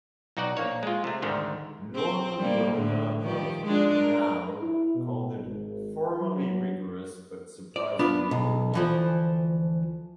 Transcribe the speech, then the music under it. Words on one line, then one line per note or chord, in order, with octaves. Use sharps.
Norman Wilner of "Now" called it "formally rigorous but surprisingly moving".
B1 D#4 F#4 D5 F#5
A#1 A#3 C#5
G#3 F4
C3 A3
D2 G#2 D3 D#3
C4
G3 A#3
A2 D3
D#3 F3 G4
G#3 D4 F4
A#4
E4
B2
G#1
F#3
D5
B3 D4 F4
B1
D2 E3 F3